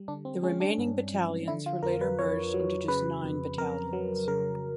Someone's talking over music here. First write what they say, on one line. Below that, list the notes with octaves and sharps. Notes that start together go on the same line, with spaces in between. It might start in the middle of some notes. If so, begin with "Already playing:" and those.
The remaining battalions were later merged into just nine battalions.
Already playing: G3
D3 D4
C4
G#3 C#4
D4
G2
F3
D3 E4
F4
F2 A#4
B4
F2 C#5
F#3
C#3 B4
F2
F2 A#4
F#3
C#3 A#4